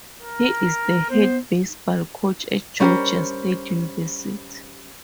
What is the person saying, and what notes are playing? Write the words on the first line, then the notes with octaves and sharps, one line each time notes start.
He is the head baseball coach at Georgia State University.
A#4
B3 C5
G3 C#4 F4 G4 A#4 C5